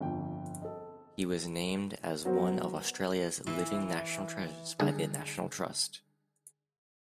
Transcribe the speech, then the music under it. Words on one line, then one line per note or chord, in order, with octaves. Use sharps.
He was named as one of Australia's Living National Treasures by the National Trust.
G1 F2 G5
A4 D#5
F#3 B3 F#4 A#4 C5
E3
D3 G3 G#4